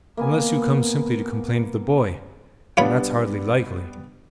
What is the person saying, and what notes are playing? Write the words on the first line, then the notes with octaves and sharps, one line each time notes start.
Unless you come simply to complain of the boy, and that's hardly likely.
A#3 B3 G#5
G3 B3 D4 F4 C#5 B5